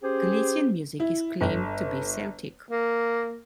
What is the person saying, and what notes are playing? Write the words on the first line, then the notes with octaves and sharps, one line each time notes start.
Galician music is claimed to be "Celtic".
C#4 G4 G#4 C5
E4
G1 D3
A#3